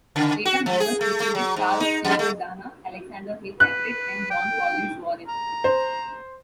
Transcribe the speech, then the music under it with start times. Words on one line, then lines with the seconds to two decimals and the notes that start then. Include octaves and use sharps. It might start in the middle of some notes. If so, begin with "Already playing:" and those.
Later members included Charles Stewart Dana, Alexander Hill Everett, and John Collins Warren.
0.16 C#3
0.45 F#4
0.66 F3
0.80 G#4
1.01 A3
1.20 A3
1.35 F#3
1.56 G#2
1.80 D#4
2.05 F2
2.19 A3
3.60 B4 F#6
4.30 G5
5.28 A#5
5.64 C5